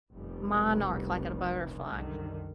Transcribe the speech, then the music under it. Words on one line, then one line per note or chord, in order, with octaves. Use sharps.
Monarch, like in a butterfly.
F1 C2 B2 G3
C2 F#2 D3 D#3